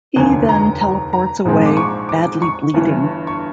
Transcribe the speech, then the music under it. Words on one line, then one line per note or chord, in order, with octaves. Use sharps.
He then teleports away, badly bleeding.
F1 D#2 D3 F3 G#5
A#5
A#5
A#5
A#1 G#2 F3 G#3 C4
D6
C#6
D6
C#6
G1 G2 E3
C#6